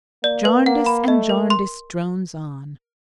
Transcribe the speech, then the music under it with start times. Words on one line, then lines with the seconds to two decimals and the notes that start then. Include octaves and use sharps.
Jarndyce and Jarndyce drones on.
0.23 A#3 D5
0.45 B4
0.65 A#3 F#5
0.86 B5
1.07 A3 D#5
1.29 A#4
1.50 C6